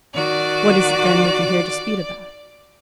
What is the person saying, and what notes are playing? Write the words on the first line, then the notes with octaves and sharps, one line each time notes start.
What is it then we can here dispute about?
D#3 F#4 D5